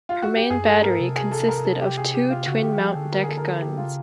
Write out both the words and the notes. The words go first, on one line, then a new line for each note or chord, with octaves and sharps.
Her main battery consisted of two twin-mount deck guns.
F4
F#4
G4
F#2 G#4
G2 A4
G#2 A#4
C3
G#4
A4
A4
A#4
A4
G4
G#4
G4
F4
C#3 F#4
D3 G4
G4
F3 G#4
D3 A4
A#4
G#4
A4
A#4
A4
G4
C#3 F4